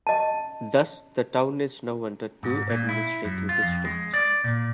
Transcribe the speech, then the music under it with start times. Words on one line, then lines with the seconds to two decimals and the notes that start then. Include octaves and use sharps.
Thus, the town is now under two administrative districts.
0.07 D#5 A5
2.43 G#2
2.70 A#2
2.89 E4
3.25 F#2
3.49 F4
3.62 F2
3.85 G#3
4.14 D5
4.44 A#2